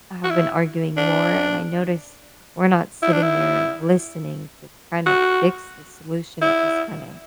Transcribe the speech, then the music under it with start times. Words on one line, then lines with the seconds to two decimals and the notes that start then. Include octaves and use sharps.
have been arguing more and I noticed, we're not sitting there and listening to kind of fix the solution, it just kind of
0.24 F#4
0.30 E4
0.97 D4
3.02 E4
3.13 D4
3.23 E4
5.06 F#4
6.42 E4